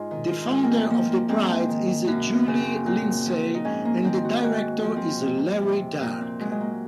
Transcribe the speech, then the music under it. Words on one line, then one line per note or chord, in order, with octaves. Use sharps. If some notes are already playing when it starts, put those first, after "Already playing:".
The founder of the prize is Julie Lindsey, and the director is Larry Dark.
Already playing: G#2 D#4 F4 C5
D#3
F4
D#4
G#2 C#4
A#3
C4
F3 A#3
A#3
G#2 C4
D#3
F#2 A#3
A#3
C#3
C4
A#2 C4
F3
D#4
G#2 C#4
A#3
D#3 C4
F#4
G#2 F#4
F3
C4
F2
C3
A#2 A#3
C4
F#3 G#3
G#3
A#3